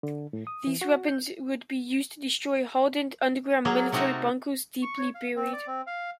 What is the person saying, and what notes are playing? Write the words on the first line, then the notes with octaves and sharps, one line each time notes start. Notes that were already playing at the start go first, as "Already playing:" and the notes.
These weapons would be used to destroy hardened, underground military bunkers deeply buried.
D3
A2
D#6
E3
F#4
G6
F#3 A#3 G#4
C3 A3 D#4 F#4 A#4 A5
C#6
C#5
F5
C4
D5
C4
F5